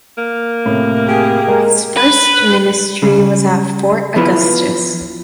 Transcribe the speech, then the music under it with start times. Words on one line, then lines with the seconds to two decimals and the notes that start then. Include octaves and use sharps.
His first ministry was at Fort Augustus.
0.18 A#3
0.66 A2 C3
1.07 G4 G#4
1.48 G#3 A#4
1.97 B4
3.02 C#3 G3
4.16 F3 B3 E4 F4 B4